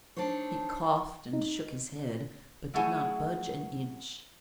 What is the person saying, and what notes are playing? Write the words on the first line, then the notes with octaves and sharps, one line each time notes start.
He coughed and shook his head, but did not budge an inch.
D4 D#4 A4 C5 C#5
D#4
F#3 A3 E4 G#4 F#5 G#5